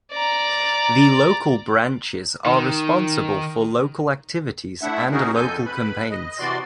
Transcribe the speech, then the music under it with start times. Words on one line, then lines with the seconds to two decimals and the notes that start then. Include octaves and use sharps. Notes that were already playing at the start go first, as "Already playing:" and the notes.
The local branches are responsible for local activities and local campaigns.
0.12 D5 A#5
2.46 D#3
4.81 A3 D4 E4 E5 F#5
5.12 C#4 D#4 F#4 G#4 A#4
5.35 F2 A4 G#5 G6
5.66 B4 B5
6.10 D#5
6.39 C3 E3 F#4 D5 C6